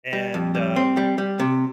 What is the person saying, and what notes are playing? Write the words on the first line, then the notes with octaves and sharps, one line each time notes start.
and, um,
G3
F2
G3
C4
G3
G3
C3